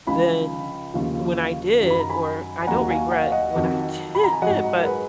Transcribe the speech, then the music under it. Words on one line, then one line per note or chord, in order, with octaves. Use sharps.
than when I did, or I don't regret when I did. But,
C#2 C#3 F3 G#5 B5
D#2 C#3 F3
F#2 D#3 F#3
B5
A#5
G#5 B5
G#5
D#2 D#3 F#3 F#5 A#5
F5 G#5
F#5
F5
D#5 F#5
F2 D#3 F#3
B5
A#5
G#5
G#2 F#3 D#5 F#5
A#4
G#4 B4